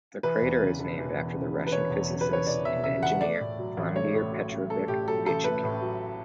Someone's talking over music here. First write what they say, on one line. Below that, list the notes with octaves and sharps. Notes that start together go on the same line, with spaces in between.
The crater is named after the Russian physicist and engineer Vladimir Petrovich Vetchinkin.
E3 B4
E2
C#3
E1
E3
E2
C#3
E1
B4
E3 C#5
E2
C#3
B4
E1
C#5
E3 D5
E2 E5
C#3 E5
E1 F#5
A3 D5
A2
F#3
A1
A3 C#5
A2
F#3
A1
A3 A4
A2 G4
F#3 A4
A1 A4
A3 B4
A2
F#3